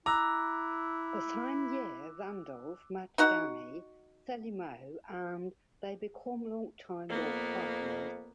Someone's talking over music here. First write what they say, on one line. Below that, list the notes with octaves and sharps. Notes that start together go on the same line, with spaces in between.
The same year, Vandolph met Jenny Salimao and they become longtime love partners.
E4 A#5 D6 E6 F#6
D#4 F#4 F#5
F2 A#3 B3